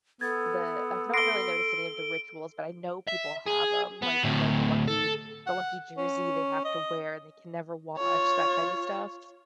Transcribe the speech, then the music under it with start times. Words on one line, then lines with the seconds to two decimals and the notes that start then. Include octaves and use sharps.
The I've not really noticed any of the rituals but I know people have ‘em. Like, you know, the lucky the lucky jersey they have to wear and they can never wash, that kinda stuff.
0.21 B3 A4 G#6 A6
1.14 C6 A#6 C7 D7 G7
3.07 E5
3.46 G#4
4.02 B3
4.23 D2 A2
4.88 A4
5.47 F#5
5.98 C#4
6.65 D#5
7.98 F4 C#5